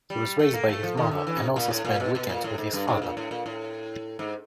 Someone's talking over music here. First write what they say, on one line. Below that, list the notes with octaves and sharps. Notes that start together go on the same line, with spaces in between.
He was raised by his mother, and also spent weekends with his father.
G3
A3
A#3
A3
F3
D#3
D3
E3
C3
A#2
A2
A#2
B2
B2
A#2
A2
G#2
G2
G#2
A#2
A2
A#2
A2
G#2